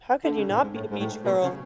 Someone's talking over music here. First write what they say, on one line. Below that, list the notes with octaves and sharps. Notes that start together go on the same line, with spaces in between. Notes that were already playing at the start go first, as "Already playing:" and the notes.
How could you not be a beach girl?
D3
C#3
A2
G#2
A2
G#2
A2
B2
C#3